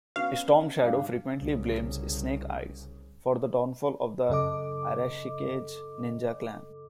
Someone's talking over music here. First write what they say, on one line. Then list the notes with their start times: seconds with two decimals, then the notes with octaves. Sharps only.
Storm Shadow frequently blames Snake Eyes for the downfall of the Arashikage ninja clan.
0.16 B3 C#4 F#4 F5
0.83 G2 D4 G4 F5
1.38 C2 C#3
4.29 F#2 C#3 A4 D#5 D6